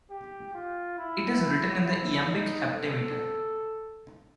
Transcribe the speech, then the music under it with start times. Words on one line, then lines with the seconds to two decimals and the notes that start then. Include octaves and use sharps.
It is written in the iambic heptameter.
0.10 G4
0.54 F4
0.98 E4
1.85 E4
2.29 D#4
2.73 A4